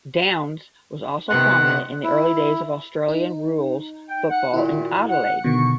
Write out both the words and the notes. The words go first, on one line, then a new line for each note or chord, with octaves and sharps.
Downs was also prominent in the early days of Australian rules football in Adelaide.
C3 D#3 B3 F#5
E4
D#4
G5
F#5
A#2 D#3 E4 F#4
F#5
B2 D3 D#3 C#6